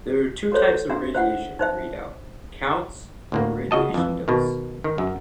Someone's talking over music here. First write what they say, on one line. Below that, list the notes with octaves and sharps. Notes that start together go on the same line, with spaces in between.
There are two types of radiation readout: counts or radiation dose.
F#4 A4 C5 C#5
D4 F#4 E5
C5 E5 F#5
D#4 C5 E5
D2 A2 A#3
C#3 F#4 D#5 A5
F2 E3
B2 D#3
D#3
F#2